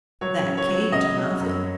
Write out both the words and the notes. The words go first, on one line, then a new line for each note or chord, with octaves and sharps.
That came to nothing!
F#3 C#5
C#3
C#5
F#3
C#3 D#5
F#3
F#2